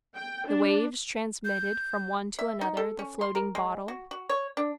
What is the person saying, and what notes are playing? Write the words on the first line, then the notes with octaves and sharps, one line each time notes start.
The waves transmitted from one to another the floating bottle.
G5
D4
G6
E5
D#4
A4
C#4
C6
A#4
G#3
F#4
F#4
C#5
D4